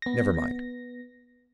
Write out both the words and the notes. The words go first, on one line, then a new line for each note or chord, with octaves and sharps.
Never mind.
B3 A#6